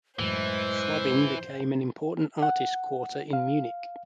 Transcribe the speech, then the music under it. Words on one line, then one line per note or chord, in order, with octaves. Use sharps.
Schwabing became an important artists' quarter in Munich.
F#2 A2 E3 G#3 C5
F#5
F5